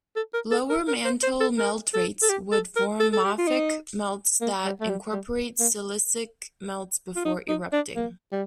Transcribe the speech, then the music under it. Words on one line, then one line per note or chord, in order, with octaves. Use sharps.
Lower mantle melt rates would form mafic melts that incorporate silicic melts before erupting.
A4
A#4
A4
A#4
A#4
C5
C5
A4
A#4
A4
A4
G4
A4
A#4
A4
A4
G4
F4
D#4
A#3
G3
A3
G3
G3
A#3
F4
D#4
D#4
D4
A#3
G3